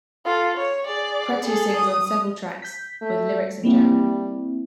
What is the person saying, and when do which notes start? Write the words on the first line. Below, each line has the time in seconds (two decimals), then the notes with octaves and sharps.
Cretu sings on several tracks, with lyrics in German.
0.25 F4 A4
0.57 C#5
0.86 G#4 D5
1.46 G#4 A4
1.76 D#6
2.62 G6 B6
3.02 A3
3.63 G3 A#3 C4 E4